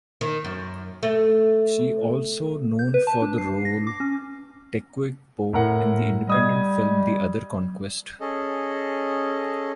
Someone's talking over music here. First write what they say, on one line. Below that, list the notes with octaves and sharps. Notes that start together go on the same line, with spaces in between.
She also known for the role Tecuichpo in the Independent film "The Other Conquest".
D#3
F#2
A3
G6
B4
A5
D4
C7
A#6
D6
C#4
A2 A#4 F#5
G3 D#5 D#6 G#6
C#4 G#4 A4 D#5